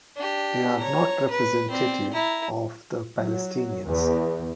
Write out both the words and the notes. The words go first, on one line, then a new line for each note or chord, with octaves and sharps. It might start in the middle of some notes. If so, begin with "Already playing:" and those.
They are not representative of the Palestinians.
D4 G4
C#5 A#5
B4
C4 D5
E4 A#5
F#3
E2